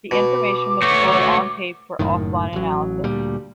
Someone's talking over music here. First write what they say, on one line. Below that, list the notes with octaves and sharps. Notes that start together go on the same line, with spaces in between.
The information was stored on tape for off-line analysis.
B2 D6
A3 F#4 C#5
F#1 F#2 A2 D#3
A1 F#3
D2 A#2 G3